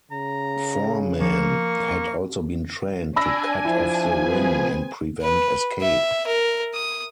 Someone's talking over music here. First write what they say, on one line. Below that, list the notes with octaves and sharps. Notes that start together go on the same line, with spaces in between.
Foreman had also been trained to cut off the ring and prevent escape.
C#3 A#5
F3 A#3 C#6
D4 G#5 B5 E6 A#6
F3 D4 E4
C4 G#4 B4
B4
E5
A#4
D#6